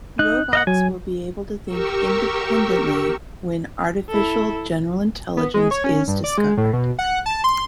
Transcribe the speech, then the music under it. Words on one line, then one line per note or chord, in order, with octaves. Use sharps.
Robots will be able to think independently when Artificial General Intelligence is discovered.
D#4 F#6
D#5 F5 F#5
F#3 G#5
G4 A#4 C#6 E6
E4 A4
B3
G#3
C#5
C#4
G2
D5
G#3
A2
B2
F#5
A5
C6